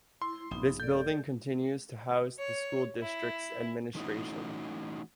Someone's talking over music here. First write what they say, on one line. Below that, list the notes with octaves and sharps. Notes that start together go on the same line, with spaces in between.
This building continues to house the school district's administration.
E4 C6
A#1 G2 C3 B3 D#4
A4 D5 G6
C#5
E4
E3 A3 C#4 D#4 E4 F#4